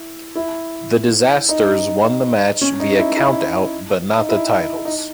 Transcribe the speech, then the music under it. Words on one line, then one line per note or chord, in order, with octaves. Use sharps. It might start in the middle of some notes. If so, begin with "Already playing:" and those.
The Disasters won the match via count out but not the titles.
Already playing: E4
E4
D#4
C#4
D#4
E4
E4
D#4
E4
D#4